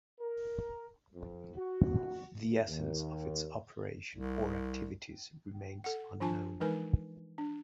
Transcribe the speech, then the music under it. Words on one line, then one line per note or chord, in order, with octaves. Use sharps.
The essence of its operation or activities remains unknown.
A#4
F2
F#4
D#2
C2
A4 F#5
F3 D4 F4 G#5 A5
E3 G#3 D#4 A#4 B4 G#5
D4